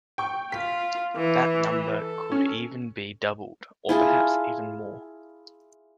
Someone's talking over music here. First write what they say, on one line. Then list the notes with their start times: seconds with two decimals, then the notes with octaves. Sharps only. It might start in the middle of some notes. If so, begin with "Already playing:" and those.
That number could even be doubled or perhaps even more.
0.18 G5 C#6
0.52 F4 F5 B6
1.16 E3
1.92 A4
2.32 C#4
3.89 E4 F4 G#4 A5